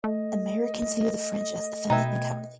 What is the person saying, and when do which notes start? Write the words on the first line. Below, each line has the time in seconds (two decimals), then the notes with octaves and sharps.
Americans view the French as effeminate and cowardly.
0.04 A3 D#5
1.90 B2 D#4 B4 E5 G5 G#6